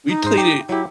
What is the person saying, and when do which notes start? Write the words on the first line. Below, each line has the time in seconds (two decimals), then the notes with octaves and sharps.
We played it
0.08 D#4
0.24 G#2 C5
0.38 G4
0.69 F#3 E4 G4